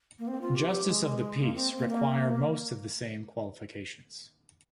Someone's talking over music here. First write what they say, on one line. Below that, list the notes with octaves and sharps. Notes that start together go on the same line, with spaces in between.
Justices of the peace require most of the same qualifications.
A#3
C4
F4
G4
G4
G#3
A#3
C4
A#3
A#3